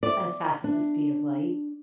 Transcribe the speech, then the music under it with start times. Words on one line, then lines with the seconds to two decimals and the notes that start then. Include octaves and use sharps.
as fast as the speed of light?
0.03 D5
0.64 D4